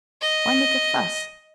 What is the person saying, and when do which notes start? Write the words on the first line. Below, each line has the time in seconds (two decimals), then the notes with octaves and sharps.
Why make a fuss?
0.22 D#5